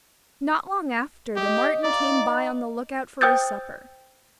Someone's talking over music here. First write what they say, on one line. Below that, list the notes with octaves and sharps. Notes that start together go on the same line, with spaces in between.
Not long after the marten came by on the look out for his supper.
G4 D#5
D#4 D5 F5
C5 G5 D#6 E6 G6 A6